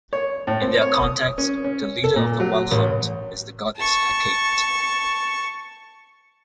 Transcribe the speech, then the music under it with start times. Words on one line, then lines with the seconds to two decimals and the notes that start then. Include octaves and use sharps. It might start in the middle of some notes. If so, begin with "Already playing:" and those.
In their context, the leader of the Wild Hunt is the goddess Hecate.
0.13 C#5
0.47 A2
0.62 C4
0.81 C#5
0.94 D#6
1.38 C#4
1.64 C#4
2.04 A4
2.16 A#2
2.40 F#3
2.71 A1
3.77 A5 C#6